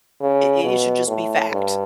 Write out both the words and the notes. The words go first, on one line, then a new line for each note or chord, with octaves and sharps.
i i it should just be fact,
C#3
B2
A2
G2